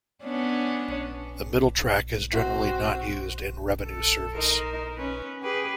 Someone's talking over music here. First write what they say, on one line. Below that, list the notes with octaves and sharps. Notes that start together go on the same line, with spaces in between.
The middle track is generally not used in revenue service.
B3 C#4 D4
C4 F#4
A4
D#4 A#4 C5
C#4 B4
G4 G#4 B4